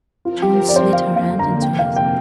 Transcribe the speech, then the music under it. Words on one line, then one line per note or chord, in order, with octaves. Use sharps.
June slid her hand into his.
F3 C4 F4 A#4
G4
A#4
D5
C5
F2 D3 A#3 F5
F5
A#5
F2 C3 A#3 G5
F5
G5